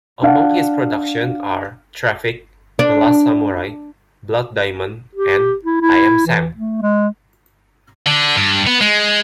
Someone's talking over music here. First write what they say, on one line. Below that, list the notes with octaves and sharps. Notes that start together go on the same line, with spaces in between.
Among his productions are "Traffic", "The Last Samurai", "Blood Diamond", and "I Am Sam".
D4 F5 F#5
D4
G4
E4
E4
E3
A3
G#3
D3
G2
B3
G#3